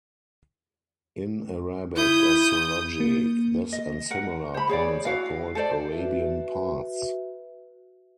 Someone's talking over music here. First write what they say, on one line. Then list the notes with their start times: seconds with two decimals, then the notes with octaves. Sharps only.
In Arabic astrology, this and similar points are called Arabian Parts.
1.96 E4 D#6 G6
3.00 A#3
3.73 D#5
4.11 A#4 F#5
4.54 C5 B5
4.69 G#4 C#5 D5
5.05 E4 F#4 F5
5.55 A4 C5 D5
5.92 F#4 B4 E5